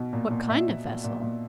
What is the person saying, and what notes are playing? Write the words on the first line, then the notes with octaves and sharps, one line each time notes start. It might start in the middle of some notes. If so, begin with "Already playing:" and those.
What kind of vessel?
Already playing: B2
A#2
A#2
A#2 E5
A#2
A#2
A#2
A#2